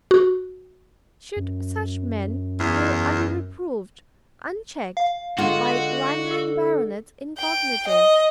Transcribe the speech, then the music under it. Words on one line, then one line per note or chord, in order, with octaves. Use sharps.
Should such men go unreproved, unchecked, by wandering baronets incognito?
F#4
F#2
E2
F5
D3 G#3 F4 F#4 F#5
A4
G5
D#5